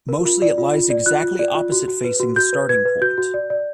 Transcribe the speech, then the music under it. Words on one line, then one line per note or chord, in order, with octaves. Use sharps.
Mostly it lies exactly opposite facing the starting point.
A#4
F4
D5
F4
F4
D5
F4 F#6
F4
D5
F4
F#4
F#4
B4
F#4
F#4 G6
B4
B4 G#6
B4
F#4 G6
F#4
D5
D5